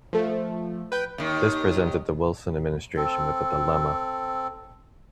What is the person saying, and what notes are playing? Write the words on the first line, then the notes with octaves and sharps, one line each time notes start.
This presented the Wilson administration with a dilemma.
F3 A3
B4 G5
D#2 D#3
C4 A4